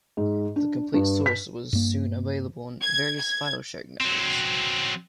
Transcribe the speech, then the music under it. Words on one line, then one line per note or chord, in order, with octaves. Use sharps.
The complete source was soon available in various file sharing networks.
G#2
D4
G2
B6
G2 A#3
G#6
G#6
F#3 C4